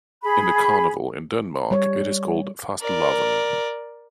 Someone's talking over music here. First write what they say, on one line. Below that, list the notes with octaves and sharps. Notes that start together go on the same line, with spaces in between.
In the Carnival in Denmark, it is called Fastelavn.
G#4 B5
G3 C#5
A#4 D5